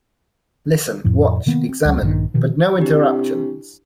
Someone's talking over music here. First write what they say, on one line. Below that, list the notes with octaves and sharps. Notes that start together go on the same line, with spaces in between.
Listen, watch, examine — but no interruptions!
F2 A2 F3
C3 D#3 A#3 B3
C4
C#2 F#3
A#1 G2 D#3
B2 D#3 F3
C3 D4 E4 G4